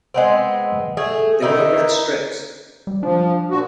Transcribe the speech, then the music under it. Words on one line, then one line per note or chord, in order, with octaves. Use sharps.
They wear red strips.
G#3 B3 C4
A3 G#4
D#3 D#4 E4
G3
F3 D4
A#2 F#4